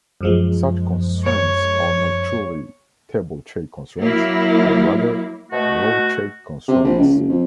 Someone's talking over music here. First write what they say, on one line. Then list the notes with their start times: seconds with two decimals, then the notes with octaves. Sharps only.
Such constraints are not truly "table check constraints" but rather "row check constraints".
0.21 F#2 F3 G#3
1.24 C#5
3.98 F#3 A#3 E4
5.51 B2 A3 F#4
6.68 C3
6.84 A#1
6.98 C#2
7.14 F#1
7.29 F2